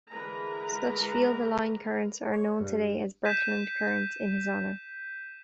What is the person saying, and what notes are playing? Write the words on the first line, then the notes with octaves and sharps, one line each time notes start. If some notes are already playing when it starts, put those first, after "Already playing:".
Such field-aligned currents are known today as Birkeland currents in his honour.
D3 E3 G#3 A#4 B4 A#5
C#5
G2
G6 B6 D#7 E7